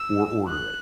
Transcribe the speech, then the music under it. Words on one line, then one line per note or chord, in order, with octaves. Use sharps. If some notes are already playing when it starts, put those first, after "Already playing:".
or order it.
Already playing: E6
F#6